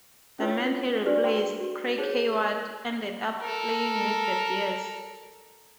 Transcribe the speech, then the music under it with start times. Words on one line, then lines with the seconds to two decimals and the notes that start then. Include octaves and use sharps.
The man he replaced, Craig Heyward, ended up playing with the Bears.
0.39 C#4 E4 F4 B4 C#5
1.06 D4 F#4 G4 B4 C5 D5
1.23 C5 G5 C6 E6
1.60 F#4
1.98 D#4 G#4 C5 C#5
3.40 A4 A#4